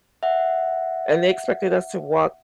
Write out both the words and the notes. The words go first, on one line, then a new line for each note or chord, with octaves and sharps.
and they expected us to walk
E5 F#5